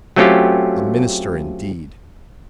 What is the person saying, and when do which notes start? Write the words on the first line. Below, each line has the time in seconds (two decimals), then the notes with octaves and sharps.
"A minister indeed!"
0.16 F#3 A3 C4 C#4 F4 G4